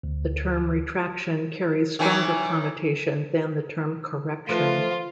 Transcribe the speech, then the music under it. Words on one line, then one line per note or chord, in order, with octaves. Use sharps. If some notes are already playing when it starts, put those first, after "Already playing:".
The term "retraction" carries stronger connotation than the term "correction".
D2
D#3 E3 C#4
F3 A3 F4 B4